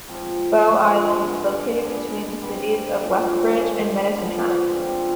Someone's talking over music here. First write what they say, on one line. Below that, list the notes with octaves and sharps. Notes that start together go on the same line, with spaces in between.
Bow Island is located between the cities of Lethbridge and Medicine Hat.
G#2 F3 C4
F3 G#3 D4
D3 G#3 B3
G#3 D4 G#4
B2 G3 C4 G4
G#2 F3 G#3
G#3 D4 G#4
D3 F3 B3
G#3 C4 F4